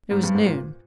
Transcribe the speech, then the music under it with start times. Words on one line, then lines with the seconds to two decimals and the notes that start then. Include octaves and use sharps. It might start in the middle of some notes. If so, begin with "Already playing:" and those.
It was noon.
0.11 G#2
0.24 G2
0.35 G#2
0.46 A#2